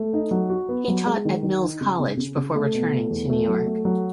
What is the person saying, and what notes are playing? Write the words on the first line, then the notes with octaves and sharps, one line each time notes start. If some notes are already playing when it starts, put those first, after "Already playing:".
He taught at Mills College before returning to New York.
Already playing: A3
D#4
F#3
F#4
B3
F#3
G#3
D#3
D#3
D#4
C#3
C#3
C#3
C#3
A3
B2
A3
E2
A3
F#3
A3
F#3